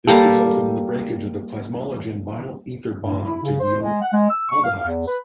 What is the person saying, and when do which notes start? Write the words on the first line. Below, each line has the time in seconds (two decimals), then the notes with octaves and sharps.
This resulted in the breakage of the plasmalogen vinyl-ether bond to yield aldehydes.
0.07 G3 A#3 G4 A4
3.02 G2
3.23 E4
3.43 C#3
3.60 C5
3.81 G#3
4.02 F#5
4.13 G#3
4.29 E6
4.49 C#6
4.64 F5
4.86 E2
5.06 B4